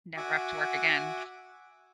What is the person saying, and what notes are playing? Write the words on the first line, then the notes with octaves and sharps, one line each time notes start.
Never have to work again.
F#4 E5 F#5 G#5 D6